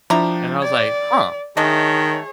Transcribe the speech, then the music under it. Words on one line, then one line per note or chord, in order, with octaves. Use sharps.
and I was like, "Huh,
F3 D4 E4 G4 A#5
D5 G#6
D#3 G#3 A3 D4 G#4 C#5 D#5